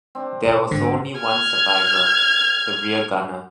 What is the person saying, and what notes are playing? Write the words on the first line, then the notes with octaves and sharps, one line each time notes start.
There was only one survivor, the rear gunner.
C4 D4
B2
G#1 D3
F6 G#6